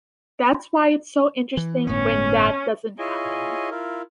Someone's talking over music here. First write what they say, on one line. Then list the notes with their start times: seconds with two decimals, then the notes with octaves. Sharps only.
That's why it's so interesting when that doesn't happen.
1.57 E3
1.87 G1 A2 B3 C#4
2.99 E4 F4 G#4 C#5 D#5 G#5
3.71 E4 F4 A#4